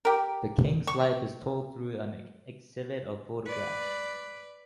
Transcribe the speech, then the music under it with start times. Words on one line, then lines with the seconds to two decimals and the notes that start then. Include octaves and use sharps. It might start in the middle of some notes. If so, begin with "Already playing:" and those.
The king's life is told through an exhibit of photographs.
0.05 G4 A#4
0.87 C#6
3.46 B4 D5